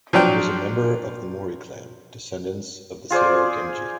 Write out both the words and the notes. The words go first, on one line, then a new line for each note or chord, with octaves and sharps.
He was a member of the Mori Clan, descendants of the Seiwa Genji.
F3 F#3 D4 G5
F4 G#4 C5 D5